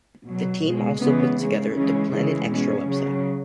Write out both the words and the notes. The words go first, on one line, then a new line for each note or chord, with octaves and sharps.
The team also puts together the "Planet Extra" website.
B2 F#3
B2 G#3
C#3 E3 G#3 B3
C#3 G#3
C#3 E3 G#3 C#4
C#3 E3 G#3
B2 G#3 C#4
C#3 F#3